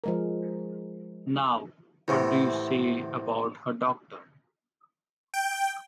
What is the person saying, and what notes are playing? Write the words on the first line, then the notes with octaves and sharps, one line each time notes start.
Now, what do you say about her doctor?
F3 G#3 A#4
E2 A2 C3 E4 C5
G5